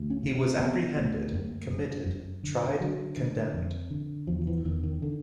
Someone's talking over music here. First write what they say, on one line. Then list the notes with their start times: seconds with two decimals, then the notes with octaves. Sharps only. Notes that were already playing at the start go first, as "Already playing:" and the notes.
He was apprehended — committed — tried — condemned.
Already playing: D2
0.10 C#4
0.23 C#3
0.35 C4
0.59 C#3 B3
0.97 D2
1.33 F#2 A#3
1.70 F#2
2.06 F#2
2.43 D3
2.81 D3 F#3
3.17 D3
3.54 F2
3.91 D3
4.27 E2 F3
4.41 F3
4.47 E3
4.65 E2 D#3
4.83 D#3
5.02 D3